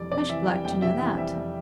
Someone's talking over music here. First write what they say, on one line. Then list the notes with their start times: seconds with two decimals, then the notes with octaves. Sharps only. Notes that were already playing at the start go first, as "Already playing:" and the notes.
I should like to know that.'
Already playing: F2 C3 E3 G3 D5
0.12 C3 D5
0.29 E3 E5
0.47 G3 G5
0.65 F2 G5
0.82 C3 E5
1.00 E3
1.17 G3 E5
1.35 F2